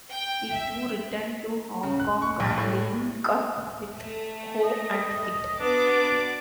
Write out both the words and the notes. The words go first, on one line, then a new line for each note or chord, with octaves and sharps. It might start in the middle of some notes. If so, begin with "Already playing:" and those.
The two return to Hong Kong and link-up with Ho and Kit.
G5
E5
C#3
F#6
C#6
A#1
A2
A3
D#5
B3 D4 F#4 D6